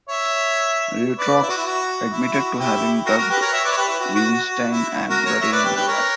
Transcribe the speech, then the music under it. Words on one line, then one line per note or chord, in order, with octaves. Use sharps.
Dutroux admitted to having drugged Weinstein and burying him alive.
C#5 E5
B4 D5
E4
F#4
E4
F#4
E4
E4
F#4
E4 G4
F#4 A#4
F#4 A#4
G4 B4
A#4 C#5
C#5 E5
B4 D5
C#5
G4 B4
E4
F#4
F#4
F#4
F#4
E4
F#4 A#4
A#4 C#5
C#5 E5
B4 D5
G4 B4
G4 B4
A#4 C#5